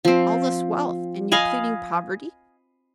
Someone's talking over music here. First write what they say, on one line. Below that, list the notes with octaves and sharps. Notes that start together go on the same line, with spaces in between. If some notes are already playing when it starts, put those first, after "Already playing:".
"All this wealth, and you pleading poverty?"
F3 C4
D#5 F5 G#5 B5